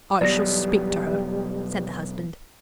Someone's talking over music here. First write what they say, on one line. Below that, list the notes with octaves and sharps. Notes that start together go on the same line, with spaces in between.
"I shall speak to her," said the husband.
B1 E2 B2 G3 D5 A#6